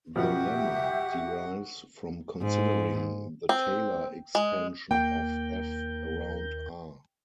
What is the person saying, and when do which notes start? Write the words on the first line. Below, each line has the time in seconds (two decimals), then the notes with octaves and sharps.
The lemma derives from considering the Taylor expansion of "f" around "r".
0.16 F2 B2 F3 F#4 G4 E5 F#5 G5
2.41 G#2
3.49 C4
4.35 G#3
4.91 D#2 A#3 A#4 G5 G6